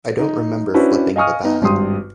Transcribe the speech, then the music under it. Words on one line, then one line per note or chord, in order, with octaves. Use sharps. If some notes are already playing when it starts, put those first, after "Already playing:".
I don't remember flipping the bat.
D#4
C#4 D4 E4 F#4 B4 C5
D#5 F5 G#5 C#6 D#6 F6
B3 D#4
G#1 G2 G4 C6 D#6